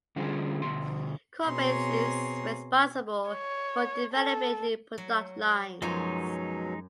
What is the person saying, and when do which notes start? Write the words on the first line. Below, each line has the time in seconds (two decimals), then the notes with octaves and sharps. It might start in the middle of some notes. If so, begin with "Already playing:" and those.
Corbett is responsible for developing new product lines.
0.16 D3 G3 C#4 F4 G#4 C5
0.62 D2 B2 C6
1.46 B2 C4 G#4 C#5 A#5 C6
3.30 C#5
4.14 A4
4.98 F#3
5.82 F#2 B2 F3 F#3 G#3 D#4 C5 C#5